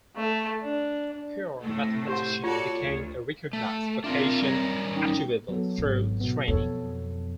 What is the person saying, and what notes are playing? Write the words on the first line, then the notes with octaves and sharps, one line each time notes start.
Pure mathematician became a recognized vocation, achievable through training.
A3
D4
A2 C3 A3
G4 C5 F#5
F4 F#4 A4 C#5 D5
D2
A3
C4 D4 F4 A#4 E5
G3 A#4 C#5
C#4 D#4 G5
F#3 B3 A4
G#1
B2 B3
F2 A4 C#5